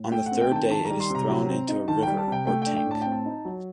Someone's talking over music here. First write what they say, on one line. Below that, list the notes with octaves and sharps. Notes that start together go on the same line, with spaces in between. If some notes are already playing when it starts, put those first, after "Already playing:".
On the third day it is thrown into a river or tank.
Already playing: A2
A3 G5
F#5
C4
G5
D#3 G5 A5
D#3 A5
A#5
G3
C6
C3 A#5
F#3
C4
D#4
D#3 A5
G3 G5
A5
C3
G5
A3 G5
D4 G5
G5
A2 A5
C4 G5
A5
D#4
F#3